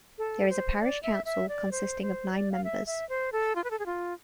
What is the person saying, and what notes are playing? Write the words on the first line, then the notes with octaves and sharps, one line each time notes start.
There is a parish council, consisting of nine members.
A4
C5
D5
E5
E5
D5
C5
C5
D5
F5
E5
E5
C5
A4
F4
B4
A4
G#4
F4